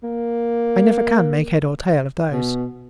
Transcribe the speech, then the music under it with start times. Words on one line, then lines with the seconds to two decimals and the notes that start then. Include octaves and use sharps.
I never can make head or tail of those.
0.03 A#3
2.31 B2